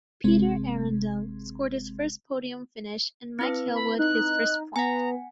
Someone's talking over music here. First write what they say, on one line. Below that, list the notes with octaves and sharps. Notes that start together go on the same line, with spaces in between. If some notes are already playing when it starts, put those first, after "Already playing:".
Peter Arundell scored his first podium finish, and Mike Hailwood his first point.
G1 C3 G#3 C4
C4 E4 B4
B5
D#4 F#6
B3 F#5 G#5 A#5